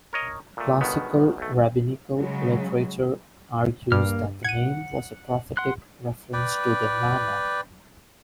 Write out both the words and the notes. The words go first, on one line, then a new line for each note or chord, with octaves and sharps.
Classical rabbinical literature argues that the name was a prophetic reference to the manna.
A#4 C#5 D#5
A#2 A3
G1 C#2 B2 D#3 B3
B1 A3
C#3 F#3 G#3
G2 A#3 F6
F#5 G#6 D#7
F#5 C6 F#6
B4 D5 G5